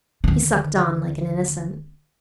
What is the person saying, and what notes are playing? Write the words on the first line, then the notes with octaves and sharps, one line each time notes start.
He sucked on like an innocent.
D#2 D3